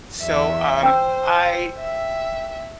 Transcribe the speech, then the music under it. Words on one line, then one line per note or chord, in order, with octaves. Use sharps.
So, um, I
E2 E5
C5 G5 E6
E5